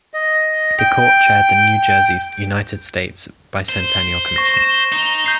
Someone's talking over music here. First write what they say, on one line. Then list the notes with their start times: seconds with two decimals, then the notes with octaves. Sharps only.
DeKorte chaired the New Jersey's United States Bicentennial Commission.
0.14 D#5
0.79 G5
3.69 C5
4.34 C#6 A#6 E7
4.54 C#6 E7
4.92 D#4
5.24 G6 C7 G7